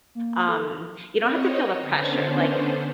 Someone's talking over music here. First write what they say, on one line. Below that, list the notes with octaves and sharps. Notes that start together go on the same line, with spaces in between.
um you don't have to feel the pressure. Like,
A#3
A4
C4 C#5 D#5
D3 B3 C#4 D4 C5